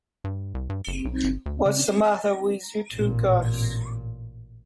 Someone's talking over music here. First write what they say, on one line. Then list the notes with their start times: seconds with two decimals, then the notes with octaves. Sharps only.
What's the matter with you two guys?
0.24 G2
0.54 C2
0.70 G2
0.87 F#1
1.05 B1
1.24 G1
1.46 D2
1.66 C#3
2.93 A1 A#2